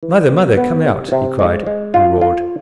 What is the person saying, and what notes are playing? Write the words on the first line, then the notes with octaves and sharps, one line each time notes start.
"Mother! mother! come out," he cried and roared.
E3
B3
B3
C3
C3
G#3
G#3
F4
F4